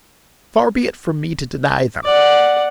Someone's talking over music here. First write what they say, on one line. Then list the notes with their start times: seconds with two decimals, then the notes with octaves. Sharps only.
Far be it from me to deny them.
2.04 D5 F#5